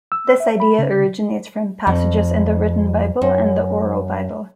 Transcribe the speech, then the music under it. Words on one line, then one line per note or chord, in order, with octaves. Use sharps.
This idea originates from passages in the Written Bible and the Oral Bible.
E6
E5
B5
C#3
F2
F#2